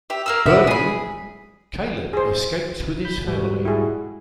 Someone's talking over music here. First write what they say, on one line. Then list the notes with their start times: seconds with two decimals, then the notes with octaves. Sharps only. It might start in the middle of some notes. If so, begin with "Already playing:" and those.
Burning, Caleb escapes with his family.
0.10 G4 E5
0.26 A#3 F5 E6
0.46 F#4 B4 E5
0.67 G#4 B5
2.13 G#4 C5
3.05 B5 G6
3.26 G#2 G3 F#4
3.65 E4 G#4